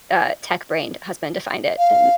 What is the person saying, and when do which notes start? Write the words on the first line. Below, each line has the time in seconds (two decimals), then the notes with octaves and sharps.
uh, tech brained husband to find it, and
1.77 F5